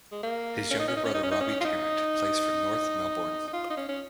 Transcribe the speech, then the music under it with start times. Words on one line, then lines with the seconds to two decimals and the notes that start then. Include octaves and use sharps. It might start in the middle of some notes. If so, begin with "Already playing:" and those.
His younger brother Robbie Tarrant plays for North Melbourne.
0.12 G#3
0.23 A#3
0.71 C#4
0.79 D#4
0.88 C#4
0.96 D#4
1.05 C#4
1.14 D#4
1.23 C#4
1.31 D#4
1.41 C#4
1.61 F4
1.65 D#4
3.47 D#4
3.53 F4
3.70 D#4
3.77 C#4
3.89 C#4